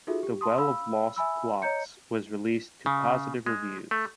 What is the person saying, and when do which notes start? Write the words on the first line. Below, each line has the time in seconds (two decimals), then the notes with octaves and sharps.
"The Well of Lost Plots" was released to positive reviews.
0.07 D#4 F4 F#4 G#4 A4 E5
0.23 G4
0.41 A5 C6 D#6
0.58 F5 B5 E6
1.16 E5 G#5 B5 E6
1.62 C#5 D#5 A#5 G6 C#7
2.86 C#3
3.46 G#3
3.91 A3